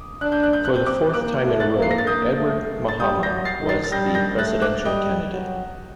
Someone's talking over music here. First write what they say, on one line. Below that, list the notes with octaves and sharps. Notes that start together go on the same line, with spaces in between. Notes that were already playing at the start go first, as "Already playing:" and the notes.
For the fourth time in a row, Edward Mahama was the presidential candidate.
Already playing: D6 D#6
D4 F#6
G6
F#6
G6
C4 F#6
G6
D6 F#6
A#3 D6 F#6
A3
F#6 A6
A#3
C7
A#6
A6
A#3 D#6 G6
A3
A3
A6
G3 D#6 G6
G6 A#6
F#3
A6 C7
D#3
A6 C7
A6
G3 G6 A#6
A6
G6 A#6
A3 F#6 A6
D6 F#6
G3 D#5 G5
F#3